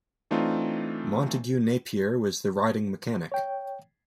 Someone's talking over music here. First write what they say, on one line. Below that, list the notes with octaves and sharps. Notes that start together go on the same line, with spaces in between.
Montague Napier was the riding mechanic.
E3 A3 C4 D4 D#4 F4
C#5 G5